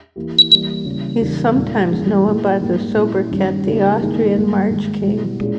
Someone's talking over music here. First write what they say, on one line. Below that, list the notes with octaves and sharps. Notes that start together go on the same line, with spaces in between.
He is sometimes known by the sobriquet "The Austrian March King".
E3 A#3 E4 G4
E3 G3 A#3 E4
C#3 E3 G3 A#3
E2 C#3 G3 A#3 D#4
A#2 G#3 D#4
G2 E3 A#3 C#4 G#4
A#2 A#3 E4 G#4
G#2 G3 A#3
A#2 G3 C#4 E4
G2 D#3 G3 C#4 G4
C#3 G3 A#3 D#4
G#2 D#3 A#3 E4 G#4
G2 G3 A#3
G#2 D#3 G#3
B2 G3 B3 E4
A#2 G#3 C#4 E4 G#4